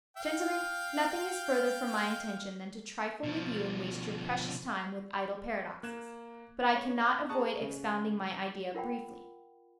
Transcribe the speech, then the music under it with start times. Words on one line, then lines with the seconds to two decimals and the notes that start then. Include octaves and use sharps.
Gentlemen, nothing is further from my intention than to trifle with you and waste your precious time with idle paradoxes; but I cannot avoid expounding my idea briefly.
0.17 F5 G5
3.24 B2 F3
5.83 A#3 F#6 G#6 E7
6.76 C#5
7.29 G#4 A5 A#5 C#6 D#6 F#6
7.61 C#3
8.75 F4 A#4 F#5 G5 B5